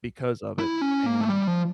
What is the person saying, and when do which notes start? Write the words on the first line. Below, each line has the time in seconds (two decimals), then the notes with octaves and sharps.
because of it. And
0.59 E4
0.81 C#4
1.06 A#3
1.21 A3
1.29 G3
1.47 F3